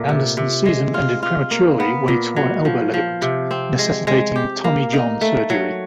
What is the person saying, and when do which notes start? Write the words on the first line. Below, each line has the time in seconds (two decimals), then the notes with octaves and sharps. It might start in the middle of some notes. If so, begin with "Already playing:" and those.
Anderson's season ended prematurely when he tore an elbow ligament, necessitating Tommy John surgery.
Already playing: A#2 A3
0.09 C3
0.37 C3
0.66 G#3
0.94 F4
1.23 F4
1.51 A#3
1.80 B3
2.08 A#2
2.36 F#3
2.65 F3
2.94 F3
3.22 C3
3.51 C4
3.79 G#3
4.07 G#3
4.36 G4
4.64 A#3
4.93 D#4
5.21 A3
5.50 F#3